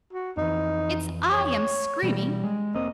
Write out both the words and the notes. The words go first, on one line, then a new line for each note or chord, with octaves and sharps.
It's I am screaming.
F#4
F2 E3 D#4
C#5
B2 E3 G3
G#3
F1 A#3 C4 D#5